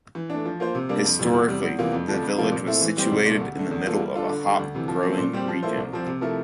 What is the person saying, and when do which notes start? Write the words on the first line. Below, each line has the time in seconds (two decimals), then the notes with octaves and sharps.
Historically, the village was situated in the middle of a hop-growing region.
0.15 E3
0.30 A3 D4
0.45 F3
0.60 A#3 F4 C5
0.75 C3
0.89 G3 A#3 D4
1.04 F2
1.19 C3 E3 G3
1.33 E2
1.48 C3 G3
1.63 E2
1.79 C3 E3 A#3 F4
1.93 F2
2.08 D3 F3 A3 D4
2.22 F2
2.37 C3 F3 A#3 F4
2.52 A#2
2.67 A3 C4 E4
2.81 E3
2.97 G3 C4 G4 C5
3.12 C2
3.26 A#2 A3
3.40 D2
3.55 D3 A3
3.71 E2
3.85 E3 A#3 F4 A4
4.00 G3
4.15 D4 F4 A4
4.29 D3
4.44 G3 D4
4.59 D2
4.74 C3 E3
4.88 F3
5.03 A3 C4
5.18 A#2
5.33 G3 C4 G4
5.48 F3
5.63 A#3 E4 A4 C5
5.77 C2
5.93 C3 F3 C4
6.07 C3
6.21 F3 A3 E4 A#4